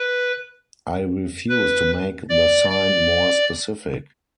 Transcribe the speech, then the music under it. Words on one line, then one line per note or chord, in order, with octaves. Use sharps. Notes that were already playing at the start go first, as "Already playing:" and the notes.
I refuse to make the sign more specific.
Already playing: B4
B4
D5
D5